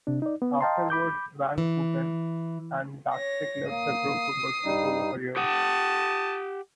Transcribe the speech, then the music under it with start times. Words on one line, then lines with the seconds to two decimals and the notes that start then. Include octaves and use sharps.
Afterwards Van Houten and Bacsik left the group to pursue solo careers.
0.07 C3 D4
0.22 D#4 D5
0.42 B3
0.61 D#5 F5 G5 A5 A#5 C6
0.90 B5 D6 G6
1.58 E3
3.14 C#5 A#6
3.70 A#3 D#6 C7
4.64 G2 G3 D#4
5.36 G4 F#5 A5 D#6